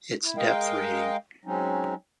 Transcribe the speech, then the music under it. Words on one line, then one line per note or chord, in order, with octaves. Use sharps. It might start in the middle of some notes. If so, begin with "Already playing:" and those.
It's depth reading.
E4
G#3 A#4 D#5 F5 G5
F#3 G#3 C4 C#4 D#4